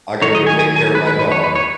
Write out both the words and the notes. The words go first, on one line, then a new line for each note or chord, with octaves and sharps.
I gotta go take care of my dog
D#3 F#3 A3 D#4 C#5
D#5
G#5
G#5
G#5
B4
B4
B4
C#5
B4
C#5